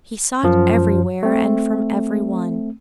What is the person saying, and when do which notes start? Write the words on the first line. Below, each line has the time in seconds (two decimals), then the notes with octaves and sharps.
He sought everywhere and from every one.
0.43 F#2 F3
1.23 A3 C4